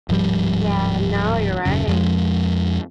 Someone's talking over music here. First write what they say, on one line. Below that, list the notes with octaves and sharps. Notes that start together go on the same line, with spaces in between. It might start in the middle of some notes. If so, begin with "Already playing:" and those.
Yeah. No, you're right.
D1 G#2 F3 G3
D#1 F#2 C#3
F2 F3 G3 G#3